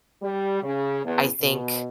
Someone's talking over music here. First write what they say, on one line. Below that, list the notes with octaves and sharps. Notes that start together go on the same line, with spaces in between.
I think
G3
C#3
E2
B2